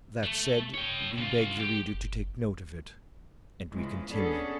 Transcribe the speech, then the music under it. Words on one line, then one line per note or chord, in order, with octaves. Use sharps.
That said, we beg the reader to take note of it, and we continue.
A3
C#5 G5
C#3 F4
G4
F#1
C#3 E3 F3 G#3
B3 C#4 D4 G#4 A4